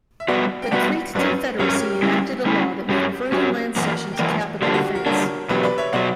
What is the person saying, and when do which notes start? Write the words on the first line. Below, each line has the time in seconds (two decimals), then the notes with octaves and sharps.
The Creek Confederacy enacted a law that made further land cessions a capital offense.
0.20 E5
0.28 G3 B3 F#4 B4 D5 F#5
0.62 G5
0.72 G3 B3 F#4 B4 D5 F#5
1.15 G2 F#3 C#4 B4 D5
1.59 G2 F#3 C#4 A#4 C#5
1.70 A#4 C#5
1.80 G4
1.91 G4
2.03 G3 C#4 E4
2.46 G3 C#4 E4
2.89 G2 F#3 C#4 F#4 G4 C#5
3.32 G2 F#3 C#4 F#4 G4 C#5
3.75 F#2 E3 A#3 F#4 A#4
4.13 G5
4.19 F#2 E3 A#3 D5 F#5
4.62 D3 G3 A#3 D4 G4
4.74 F#4
4.85 G4
4.95 F#4 A#4
5.06 D3 G3 A#3 D4 A#4 C#5
5.49 E2 B2 F#3 G4 B4
5.63 B4 D5
5.78 C#5 E5
5.93 B2 F#3 D5 F#5